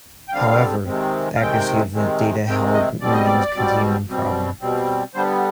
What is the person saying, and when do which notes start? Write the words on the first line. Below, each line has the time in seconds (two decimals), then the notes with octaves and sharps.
However, the accuracy of the data held remains a continuing problem.
0.28 G5
0.32 D3 G3 C4 F5
0.86 C3 D#3 G#3 C4
1.36 F5
1.39 C3 D#3 G#3 C4 G5
1.93 C3 D#3 G#3 C4
2.47 C3 D#3 G#3 C4 G5
2.73 D#5
3.00 B2 G3 C4 D5
3.13 D#5
3.26 D5
3.54 B2 G3 C4
4.07 B2 G3 C4
4.61 B2 G3 C4
5.14 D3 G3 B3 C5